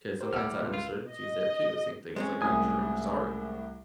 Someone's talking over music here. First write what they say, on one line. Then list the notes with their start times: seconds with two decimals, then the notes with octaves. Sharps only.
'cause sometimes that uncertainty is there too, same thing is like, are you sure you're sorry?
0.21 G4 A#4 C5
0.33 D#2 A2 G3 F#5 E6 F6
0.62 C#2
0.74 F4
1.11 D#5
2.16 G#3 C4 C#4
2.42 C2 A2 G#5 D#6